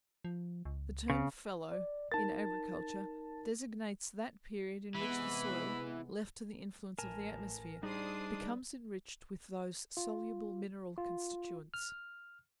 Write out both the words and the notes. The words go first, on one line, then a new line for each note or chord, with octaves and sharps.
The term fallow, in Agriculture, designates that period in which the soil, left to the influence of the atmosphere, becomes enriched with those soluble mineral constituents.
F3
C#2
C#3
D5
D#4 A#4 A5 A6
C3 E3 G#3 B3 B5
A1 A2 A#4 G#5 A5
G3 D4 D#4 G#4 C5 D#6 C7
F4
F4
F6